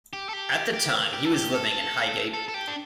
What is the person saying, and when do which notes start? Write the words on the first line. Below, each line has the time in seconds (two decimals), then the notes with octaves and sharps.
At the time he was living in Highgate.
0.13 G4
0.29 A4
0.33 G4
0.74 G4
1.13 G4
1.25 A4
1.34 G4
1.54 A4
2.34 A4
2.48 A4
2.54 G4
2.67 D4